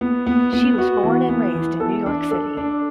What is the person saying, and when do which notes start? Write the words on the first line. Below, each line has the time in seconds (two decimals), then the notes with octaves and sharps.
She was born and raised in New York City.
0.01 B3
0.27 B3
0.53 B3
0.78 F#4
1.03 E3
1.29 B3
1.55 E3
1.80 A4
2.06 D4
2.31 A4
2.57 D4